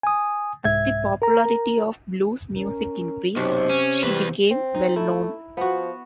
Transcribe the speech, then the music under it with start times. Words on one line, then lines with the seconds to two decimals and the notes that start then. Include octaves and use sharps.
As the popularity of blues music increased, she became well known.
0.03 G#5 D#6
0.65 C2 G#2 E5 G#6
1.22 A#4 A#5
2.55 C#4 A#4
3.36 B1 F#2 C3 C4
3.69 C#4
4.03 E2 G3 B4
4.51 C4
4.75 D#4
4.96 A3 E4
5.57 F3 B3 F#4